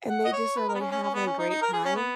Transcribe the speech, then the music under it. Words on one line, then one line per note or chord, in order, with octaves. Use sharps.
and they just are like having a great time.
F#5
D#5
C#5
B4
A#4
B3
C#4
C#4
C#4
B3
C#4
D#4
D#4
A#4
G#4
C#4
B3